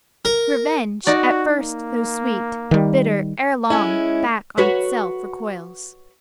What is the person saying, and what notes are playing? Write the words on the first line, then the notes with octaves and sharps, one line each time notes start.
"Revenge, at first though sweet, Bitter, ere long, back on itself recoils."
A#4
D#4 F#4 D5
A#3
D#3 G3
G#3 C#4 E4
F#4 B4 C#5